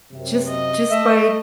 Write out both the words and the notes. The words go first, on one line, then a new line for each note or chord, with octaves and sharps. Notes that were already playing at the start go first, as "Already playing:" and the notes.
just just by, d
F#2 C3
D#5
A3 E5